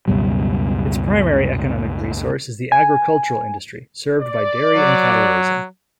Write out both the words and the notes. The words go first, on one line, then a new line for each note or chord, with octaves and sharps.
Its primary economic resource is the agricultural industry, served by dairy and cattle-raising.
C#2 F#2 B2 G3
G#5
D5
F#3